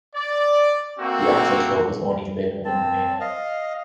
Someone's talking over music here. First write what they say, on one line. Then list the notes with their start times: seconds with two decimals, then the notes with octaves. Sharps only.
The Axel Club was only available in Romania.
0.15 D5
0.99 A3 A#3 C4 F#4
2.65 C4 A5
3.20 D#5 F5